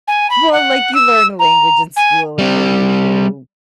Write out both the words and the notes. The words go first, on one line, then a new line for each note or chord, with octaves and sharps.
Well, like, you learn a language in school, and then you go
G#5
B5
F#5
E6
A#5
G#5
G3 C4